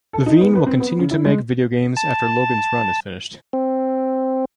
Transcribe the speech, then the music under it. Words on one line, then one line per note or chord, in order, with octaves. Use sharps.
Levine will continue to make video games after "Logan's Run" is finished.
A4
D#4
B3
B4
C4
B3
C#3
E4
G#3
A5
C4